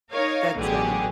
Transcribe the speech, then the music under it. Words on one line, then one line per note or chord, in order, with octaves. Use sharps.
That's funny.
D#4 A#4 C#5 F5
A1 B2 D3 F#3 G4 G#4